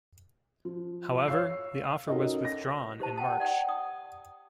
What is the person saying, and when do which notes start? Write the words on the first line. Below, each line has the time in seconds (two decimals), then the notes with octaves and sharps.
However, the offer was withdrawn in March.
0.65 F3
1.28 C#5 F5 E6 C7
2.08 C#4 D#4 F#4 A4 A#4 D#5
2.45 A#6
3.00 G4 C5 A5
3.18 F#5 G5 A5
3.40 D5 F#5 G5
3.69 D#6